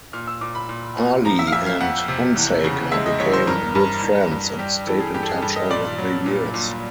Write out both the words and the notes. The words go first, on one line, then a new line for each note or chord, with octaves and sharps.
Ali and Hunsaker became good friends and stayed in touch over the years.
A#2 F6
E6
A#2 D6
B5
A#2
A#2
F3 A#5
E5
F5
F2 E5
F5
F2 F#5
C3
E2
C#3
G#3 E5
D#5
E2 C#5
C5
G2 A#4
G2 A#4
G2
G2
G3 G4
E3 A4
G#4
G2 G4
A4
G#4
G2 A4
D#5
A#2 D5
F#3
A#2
A#2